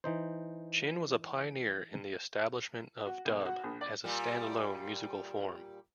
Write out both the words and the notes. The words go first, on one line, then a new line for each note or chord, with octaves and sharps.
Chin was a pioneer in the establishment of dub as a standalone musical form.
E3 D#4 C5
F#4
B1
F#4
A#1
D5
A#2 G3